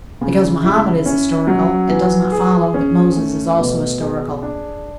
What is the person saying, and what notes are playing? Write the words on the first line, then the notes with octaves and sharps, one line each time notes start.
Because Mohammed is historical, it does not follow that Moses is also historical.
C#3
E4
C#4
F#3
E3
G#4
C#4
A3
B2
G#4
D4